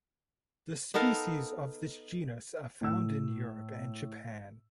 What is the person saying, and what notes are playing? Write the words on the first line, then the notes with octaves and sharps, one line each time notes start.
The species of this genus are found in Europe and Japan.
B3 D#4 A4 A#4 F5
A2 E6